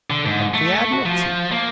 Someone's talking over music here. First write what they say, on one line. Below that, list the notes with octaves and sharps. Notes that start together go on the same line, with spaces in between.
"At the Admiralty."
D3
G#2
A3
F#4
F3
A#3